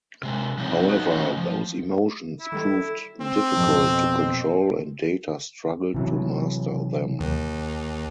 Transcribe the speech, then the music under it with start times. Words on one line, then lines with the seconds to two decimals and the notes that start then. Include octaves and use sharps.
However, those emotions proved difficult to control and Data struggled to master them.
0.23 C3 G#3
0.58 F3 G3 C4 D#4 C#5
0.88 F#3 D#4 F#4
1.10 A3 C#4 A#4 C#5 D#5 G5
1.37 F3
2.40 E4
2.52 D#3 G3 A4
3.21 C4
3.56 F2 B2
5.94 C3 E3 F#3
7.20 D#2